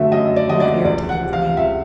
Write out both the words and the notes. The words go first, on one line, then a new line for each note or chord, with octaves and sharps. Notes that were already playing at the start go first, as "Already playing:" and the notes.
And that irritated Levin.
Already playing: D3 F#3 A3 E5
F#2 D#5
D5
D3 F#3 A3 D#5
D5
C#2 D5
F#5
C3 F3
F5
C#2 E5